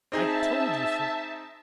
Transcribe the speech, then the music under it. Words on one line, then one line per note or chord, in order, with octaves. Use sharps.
I told you so.
C4 D#4 G#4 E5 A5